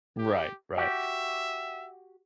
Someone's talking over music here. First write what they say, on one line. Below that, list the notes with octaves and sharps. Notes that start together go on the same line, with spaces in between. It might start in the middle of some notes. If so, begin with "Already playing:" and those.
Right, right.
G4
F#4 G4 E5